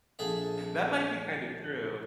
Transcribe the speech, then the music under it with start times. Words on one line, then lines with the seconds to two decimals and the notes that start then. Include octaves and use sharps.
That might be kind of true,
0.19 A#1 G#4 A4 E5